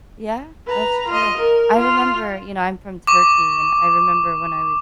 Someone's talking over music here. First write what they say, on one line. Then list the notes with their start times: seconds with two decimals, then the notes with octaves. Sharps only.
Yeah, that's true. I remember, you know, I'm from Turkey and I remember when I was
0.67 B4 A#5
1.08 F4 D#5
1.38 A#4
1.78 F4
3.07 C#6 D6